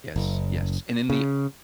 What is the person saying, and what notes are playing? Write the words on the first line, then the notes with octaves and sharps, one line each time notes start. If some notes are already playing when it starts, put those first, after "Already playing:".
Yes, yes. And in the
F#1
C#3